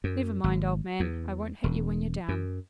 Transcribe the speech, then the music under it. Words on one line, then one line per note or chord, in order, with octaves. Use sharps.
Never mind, old man, I won't hit you when you're down.
F#2
G#1
E2
E1
F#2